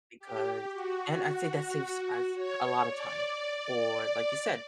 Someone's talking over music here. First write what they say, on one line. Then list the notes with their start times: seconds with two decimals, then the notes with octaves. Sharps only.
Because and I'd say that saves us a lotta time, or, like you said,
0.19 G4
0.72 F#4
2.34 C#5
2.89 D5